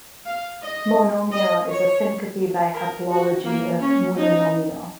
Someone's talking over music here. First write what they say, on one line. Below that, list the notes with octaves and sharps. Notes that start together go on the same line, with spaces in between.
"Monomial" is a syncope by haplology of "mononomial".
F5
D#5
D#5
C#5
A#4
F#4
A#3
C#4
D#4